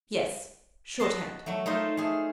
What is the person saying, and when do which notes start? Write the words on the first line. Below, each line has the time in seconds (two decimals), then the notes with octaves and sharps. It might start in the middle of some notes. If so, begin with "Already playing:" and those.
'Yes, shorthand.
1.00 F#4 D#5 A5 C6
1.46 F#3 A3
1.66 A3 D#4 F4 C5
1.97 A3 G#4